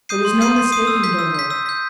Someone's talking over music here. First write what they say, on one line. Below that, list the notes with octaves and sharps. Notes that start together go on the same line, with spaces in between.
There was no mistaking their look.
D#6 G6 C7 D#7
C6
D#6 G6 C7 D#7
C6
D#6 G6 C7 D#7
E6
G6 B6
E6
G6 B6
E6
G6 B6